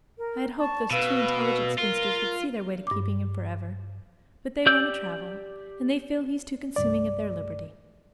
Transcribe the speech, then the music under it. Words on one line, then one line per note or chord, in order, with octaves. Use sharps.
I had hoped those two intelligent spinsters would see their way to keeping him forever, but they want to travel, and they feel he's too consuming of their liberty.
A#4
A5 C#6
B2 B4 F5 E6
F4 A#4
G2 D6
G4 D5 E6 G6
C2 G2 D5